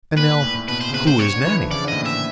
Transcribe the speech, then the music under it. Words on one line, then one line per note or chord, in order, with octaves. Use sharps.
And, now, who is Nannie?
A#2 B4
A#2
A2
A2
B2 B4
C5
C#3
C3 B4
C5
C#5
D3
E3
F3
C#3 D5
D3
A2 D#5
A#2
E5